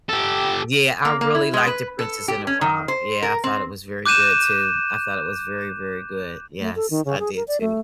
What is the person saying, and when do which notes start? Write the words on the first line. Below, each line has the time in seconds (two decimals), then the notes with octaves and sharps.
Yeah, I really liked The Princess and the Frog, yeah, I thought it was very good too, I thought it was very, very good, yes, I did too.
0.09 G4 A4
1.05 A#3
1.21 A#3
1.35 E4
1.54 G#3
1.67 B4
1.99 A4
2.28 G4
2.47 C#4
2.61 D#3
2.88 C5
3.23 A#4
3.44 C4
4.06 D6 F#6 G6 D#7 E7
6.60 A3
6.76 A4
6.90 D#3
7.05 C#3
7.19 G#4
7.36 A#4
7.48 D5
7.61 A3